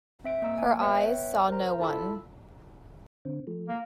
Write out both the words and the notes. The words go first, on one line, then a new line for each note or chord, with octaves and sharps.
Her eyes saw no one.
C4 E5 D7
A#3 D#5 A#5 E6 D7
G#5
B3 B4 C#5 E5 G5 C#7
A#4 C5 A#5
E4 F4 A4 A5 B5 E6
D3 C4
F3 A3
A#3